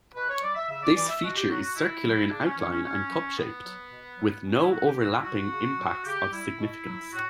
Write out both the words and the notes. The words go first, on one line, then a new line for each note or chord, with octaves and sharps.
This feature is circular in outline and cup-shaped, with no overlapping impacts of significance.
B2 B4
C#5
G3 D5
E5
C#3 E5
D5
E3 G3 D5
E5
B2 F#4
G4
F#3 F#4
B2 E4
F#3
C#3 D4
C#4
E3 G3 C#4
C#4
B2 C#4
F#3
A2 B3
F#3
B2
F#3
B2 C#4
E4
F#3 F#4
G4
C#3 F#4
E4
G3 F#4
C#3
F#3
C#3 G4
G3 E4
B2
F#3
A2 F#4